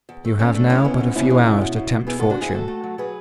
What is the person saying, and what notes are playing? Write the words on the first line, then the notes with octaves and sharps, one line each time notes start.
You have now but a few hours to tempt fortune.
E2
A3
A3 C#4
A3 D4
C#3 C#4 E4
B3
D2
B2 C#4 E4
G#3
B2
B2
B2
B2
B3 E4 G#4
G#3 F#4 A4
D4 F#4
G#2 E4 G#4
A3 F#4 A4
A3
F#3
F#3 G#4 B4